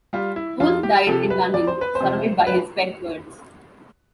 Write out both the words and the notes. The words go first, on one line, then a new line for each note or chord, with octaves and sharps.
Wolf died in London, surrounded by his pet birds.
G3 F4
E4
F2 F4
G4
C3 F3 A4
B4
F2 D5
C5
B4
C5
C3 F3
B4